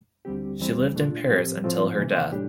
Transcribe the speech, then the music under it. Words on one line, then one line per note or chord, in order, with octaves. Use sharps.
She lived in Paris until her death.
D2 D3 G3 C4 G4
E2 E3 G3 C4 E4
A#2 A3 D4 F4
A2 F3 C4 G4
A2 F3 A3 C4 F4
C3 E3 A#3
A2 G3 D4 G4